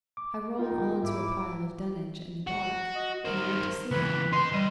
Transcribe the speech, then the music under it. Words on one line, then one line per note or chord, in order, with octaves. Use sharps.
I rolled on to a pile of dunnage in the dark and I went to sleep.
D6
D#4 F4 A#4 G5
G#2 E4 D6
F#4
D#5
D#3 A#4 C5
C#2 E3 B4
D#4 G5 C6
E3 G3 D#5